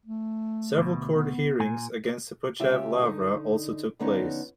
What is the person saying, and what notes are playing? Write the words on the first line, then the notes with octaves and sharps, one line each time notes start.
Several court hearings against the Pochayiv Lavra also took place.
A3
D2 B2
B3
A#2 G#5
C#3 G#3 F4 G4 E5
D3 D#4
D3 F3 B3 C#4 D#4